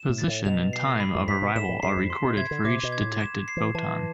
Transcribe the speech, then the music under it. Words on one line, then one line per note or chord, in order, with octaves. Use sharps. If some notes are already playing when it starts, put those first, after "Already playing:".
Position and time of arrival are recorded for each detected photon.
Already playing: E7
A2
A6
A2
B2 F7
C7
B5
F2
G#2 B6
B2
A2 E7
A2
G#2 C7
F2
C6
B2
C3 G#6
D3
C3 D6
B2
G#6
A2
E7
C7
E3
E3 A5